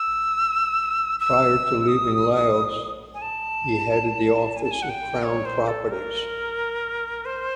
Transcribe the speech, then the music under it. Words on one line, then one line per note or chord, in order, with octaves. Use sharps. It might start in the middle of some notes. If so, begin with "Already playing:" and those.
Prior to leaving Laos he headed the Office of Crown Properties.
Already playing: E6
E6
D#6
G#5
A5
G#5
A5
G#5
F#5
G5
C#5
C5
A4
A#4
C5